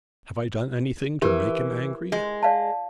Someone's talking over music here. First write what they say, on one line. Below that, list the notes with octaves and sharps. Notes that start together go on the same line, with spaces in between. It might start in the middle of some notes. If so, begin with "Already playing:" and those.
Have I done anything to make him angry?'
E3 G4 A#4 B4
G#3
D5 F5 A5